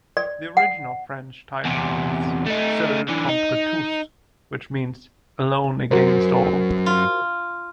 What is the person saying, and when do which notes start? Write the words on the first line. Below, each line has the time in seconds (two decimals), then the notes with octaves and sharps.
The original French title is Seul contre tous, which means "Alone against all".
0.17 D5
0.57 F#5
1.65 E2 C3
2.47 A3 D#4
3.09 D3 E3
3.29 D#4
5.91 C#2 F#2 F#4 A#4 C5
6.86 F4